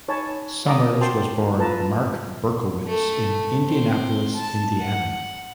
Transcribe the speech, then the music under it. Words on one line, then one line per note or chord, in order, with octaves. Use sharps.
Summers was born Marc Berkowitz in Indianapolis, Indiana.
D#4 C#5 G#5 A5 B5
C#5 D#5 A5 A#5 D6 D#6
F#4 C5 G5 A5 C6 D6
F4 A4 B4 A5 A#5
A3
C4
A5
F#5